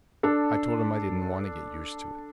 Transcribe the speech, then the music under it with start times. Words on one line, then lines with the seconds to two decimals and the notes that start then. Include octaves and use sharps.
I told him I didn't want to get used to it.
0.23 D4 A4